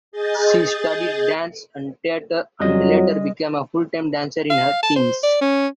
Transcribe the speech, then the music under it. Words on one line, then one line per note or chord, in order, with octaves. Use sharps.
She studied dance and theater and later became a full-time dancer in her teens.
G#4 D#5 G6 A6
F2 F#3 G3 D#5
F5
A5
C5
D5
C#4